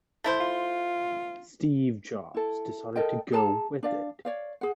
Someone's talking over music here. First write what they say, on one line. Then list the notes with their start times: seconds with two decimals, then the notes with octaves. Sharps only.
Steve Jobs decided to go with it.
0.24 A3 E4 C5
0.41 F4
2.34 E4 A4
2.96 A4 A#4 D#5 G5
3.32 G#4 A4 A5 A#5
3.83 D4 D5 F5
4.25 C#5 D5 F5
4.61 G#4 F#5